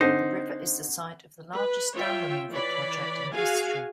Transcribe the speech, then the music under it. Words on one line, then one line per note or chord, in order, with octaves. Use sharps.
The river is the site of the largest dam removal project in history.
D3 C4 D#4 C5
B4
F4 C#5 E5 G5
E3 C#5 D5 B5
F#4 G#4 F5 G#5